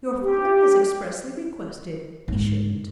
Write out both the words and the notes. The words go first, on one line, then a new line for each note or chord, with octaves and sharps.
"Your father has expressly requested he shouldn't."
G4
G#2